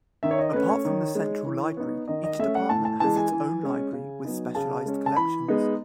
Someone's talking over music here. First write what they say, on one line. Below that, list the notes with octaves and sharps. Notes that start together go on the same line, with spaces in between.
Apart from the central library, each department has its own library with specialized collections.
D#3 E5
C#5
D#5
A3 C#4 B4
C#5
D#3
G#3 D#4
E3
B3 D#4
D#3 D#5
D#5
A3 C#4 E5
F#5
A2 A5
A5
E3 G#3 A5
G#5
E3
G#3 C#4
C#3
F#3 B3 D#4
C#3 A5
G#3 C#4
A5
E3 B5
G#3 B3 D#4